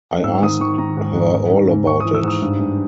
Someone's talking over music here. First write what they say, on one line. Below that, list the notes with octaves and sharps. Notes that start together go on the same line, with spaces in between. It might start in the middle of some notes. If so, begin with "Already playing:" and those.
I asked her all about it.
G#2 E6
D#3 D#6
D#3 C#6
D#3 A#5
G#2
G#2
G#2
G#2
G#2
G#2 C#6
E3 D#6
E6
G#2 D#6
G2
G2